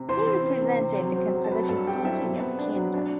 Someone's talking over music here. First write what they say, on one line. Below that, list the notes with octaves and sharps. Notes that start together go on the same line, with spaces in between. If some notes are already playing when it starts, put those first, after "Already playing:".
He represented the Conservative Party of Canada.
Already playing: C3
E3 C5 C6
C4
C4
C3
C3
F#3
C4
F#3
A5
F#3 B4 B5
G2 A4 A5
F#3 G4 G5
C4 E4 E5
B2
B3
D4
F#3
D4